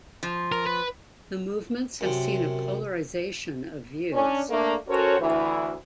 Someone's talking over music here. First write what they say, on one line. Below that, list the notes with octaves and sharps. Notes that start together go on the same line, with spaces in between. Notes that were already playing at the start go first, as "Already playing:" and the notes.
The movements have seen a polarization of views.
F3
A#4
B4
F#2 C3
C#4 D4
A3 A#3 D4
C#4 F#4 A4 A#4 C5 C#5
D2 E3 E4